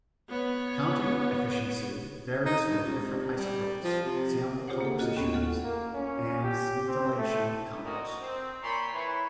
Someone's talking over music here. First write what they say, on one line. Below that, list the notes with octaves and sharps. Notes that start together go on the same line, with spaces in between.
Counting efficiency varies for different isotopes, sample compositions and scintillation counters.
B3 C#5
D#4
G2
C#2
C3
G3
F3
C3
F4 G4 G#4 C5 C#5 F#5
A#3 A4
F4 F#4 A4 D#5
D#2 B3 C#4 C#6
A4 F#5 F6
A#3
C#4
G4
C4
A3
A#2 F#4 A#4 D#5
C4
A#2 C#5 G5 B5 C6
E3 E4 B4 C#5